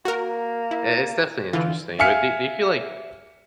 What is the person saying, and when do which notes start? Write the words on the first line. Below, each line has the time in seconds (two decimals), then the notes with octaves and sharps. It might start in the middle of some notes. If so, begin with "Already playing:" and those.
i it's definitely interesting, but do do you feel like
0.05 A#3 F#4 A#4
0.71 E4
1.53 D3 E3 F4
1.99 E5 F5 G#5 F6 B6 C#7